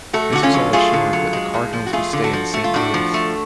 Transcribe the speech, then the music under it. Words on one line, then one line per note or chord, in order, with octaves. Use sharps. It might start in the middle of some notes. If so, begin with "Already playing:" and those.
This all but assured that the Cardinals would stay in Saint Louis.
A3 F#4 A4
D3 F#4
C#4 F4
F#3
A3 F4 G#4
D3
F#3
G#3
A2
F3
F#4
A3 F4 G#4
D3
F#4 A4
F3
A3 F#4
F4
A2 D4 F#4
F3
A3